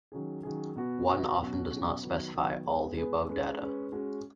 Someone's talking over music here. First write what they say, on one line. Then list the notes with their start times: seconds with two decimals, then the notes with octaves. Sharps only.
One often does not specify all the above data.
0.12 D#3 F#3 C#4 G#4
0.43 D#3 F#3 C#4 G#4
0.76 B2 B3 F#4
1.07 B2 B3 F#4
1.39 B2 F#3 C#4 F#4
1.70 B2 F#3 C#4 F#4
2.02 D#3 F#3 B3
2.34 D#3 F#3 B3
2.65 G#3 B3 G#4 B4
2.97 G#3 B3 G#4 B4
3.29 G#3 C#4 B4
3.60 G#3 C#4 B4
3.92 G#3 C#4 F#4